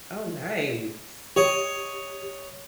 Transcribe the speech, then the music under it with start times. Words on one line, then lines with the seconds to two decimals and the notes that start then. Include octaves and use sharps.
Oh, nice.
1.36 G4 C#5 D#5